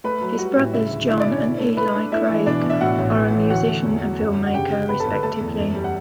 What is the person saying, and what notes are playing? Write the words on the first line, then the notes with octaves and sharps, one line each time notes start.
His brothers, John and Eli Craig, are a musician and filmmaker respectively.
A3 B4 B5
F#3
G3 F#4 F#5
A2
C#3 E4 E5
D2
D4 E4 E5
D4 D5
B2
C#4 C#5
E4
A3
A3 B4 B5
D4
A3 E4 E5
E3
B2 D4 D5
B2
E5
A2 F#4 F#5
A1
E3
E3
D2 F#4 F#5
A3
E2
F#3
F#2
D3
F#5
C#3 G4 G5
C#3
G1 B4 B5
A4 A5
G1
B4 B5
A3 A4 A5
E2
F#2
G3
F#5